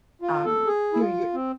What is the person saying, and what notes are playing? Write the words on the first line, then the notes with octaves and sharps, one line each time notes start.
um, you you
F4
A4
G#4
E4
F4
C4